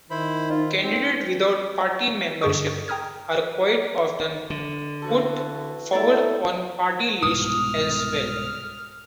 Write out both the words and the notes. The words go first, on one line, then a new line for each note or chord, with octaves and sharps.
Candidates without party membership are quite often put forward on party lists as well.
D#3 E4 C5 B5
D#4 F4
C4
G2 D3 G#4 C#6 D#6
G5 A#5 D#6 F6 G#6
D3
E3 F#4 A4
A3 E4 D5
C2 G#2 B2 D#6 F6